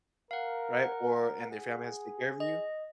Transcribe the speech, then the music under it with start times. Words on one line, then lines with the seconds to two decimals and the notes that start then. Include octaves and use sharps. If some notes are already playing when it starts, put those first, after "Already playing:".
Right? Or and their family has to take care of you
0.31 A#4 F5 F#5
0.83 F#5
1.51 G#4
2.40 D#5